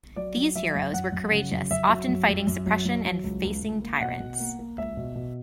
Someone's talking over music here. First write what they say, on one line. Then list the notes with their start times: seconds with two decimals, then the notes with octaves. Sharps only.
These heroes were courageous, often fighting suppression and facing tyrants.
0.16 F#3 D5
0.37 F#3
0.55 F#3 E5
0.75 F#2
0.93 F#2 F#5
1.12 F#2
1.31 C#3
1.52 F#2
1.70 F#2 E5
1.89 F#3
2.08 F#2
2.28 F#2
2.47 F#2
2.66 F#3
2.85 F#3
3.05 F#3
3.24 C#2
3.43 C#2
3.62 C#2
3.82 A#3
4.00 B2 F#5
4.20 B2
4.40 A#3
4.59 A#3
4.78 C#2 E5
4.97 B2
5.16 B2